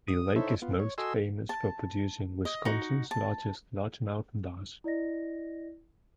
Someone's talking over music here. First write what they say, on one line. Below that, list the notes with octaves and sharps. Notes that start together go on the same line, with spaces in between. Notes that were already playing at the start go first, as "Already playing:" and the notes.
The lake is most famous for producing Wisconsin's largest largemouth bass.
D#6
D#4 E4 A4 C5 C#5 E5
B3 F4
C#5
F#4 A4 D#5 G#5 C6 E6
A5
D#5
D#4 F#4
A5
E4 D5 D#5 A#6